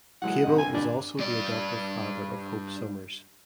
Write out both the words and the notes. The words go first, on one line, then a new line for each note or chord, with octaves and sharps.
Cable is also the adoptive father of Hope Summers.
E3 F#3 G#3 F#5
C2 G2 D#5
G#5
G2 D3 D4 D5
G2 D5